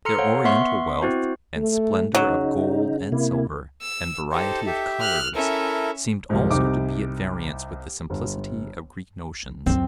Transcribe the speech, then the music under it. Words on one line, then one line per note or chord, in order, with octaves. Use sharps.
Their Oriental wealth, and splendour of gold and silver, and variety of colours, seemed also to be at variance with the simplicity of Greek notions.
A4 A#5 C6 F6 C#7
C5 C#5 F5 F#5
B3 E5 F#5 C6 C#6 C7
C4 E4 F#4 C5
A3
C#3 F#3 D#4
C3 A#3 E4
E6
D#4 G4 A4 C5
G4 E5
F6 F#6
C#4 E4 A4 A#4 E5
C2 F2 G#2
C2 C3 D#4 D6
G1
C#2 F#2 C4